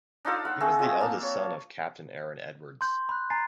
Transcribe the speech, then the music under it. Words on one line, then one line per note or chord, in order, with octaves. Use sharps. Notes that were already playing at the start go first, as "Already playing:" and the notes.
He was the eldest son of Captain Aaron Edwards.
D4 D#4 F4 A4
F#5 B5
A3 C4 G#4
F3 G#3 C4
A#3 D4 A5
C#5
C6 G6
B5 F#6
G#5 A#5 A6 C7